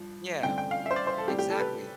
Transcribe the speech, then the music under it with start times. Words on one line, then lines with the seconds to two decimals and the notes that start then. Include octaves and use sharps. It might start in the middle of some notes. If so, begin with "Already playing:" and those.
Yeah, wo exactly.
Already playing: G2 F3
0.42 G2 D3 A3 C4 G5
0.58 G5
0.71 F5
0.86 E5
0.91 C5
0.96 D5
1.07 C5
1.18 A4
1.28 A2 G3 C4 G4
1.39 G4
1.50 A4
1.60 B4